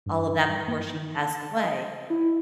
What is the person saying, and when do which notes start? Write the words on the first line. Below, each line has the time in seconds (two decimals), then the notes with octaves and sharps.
all of that before she passed away,
0.06 G2
0.48 G2
0.68 A#3
0.94 D#3
1.15 A5
1.58 D#5
2.10 E4